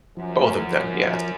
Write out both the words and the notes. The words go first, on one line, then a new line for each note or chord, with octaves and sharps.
Both of them. Yes.
F#2 F3
A3
F3
F3
F3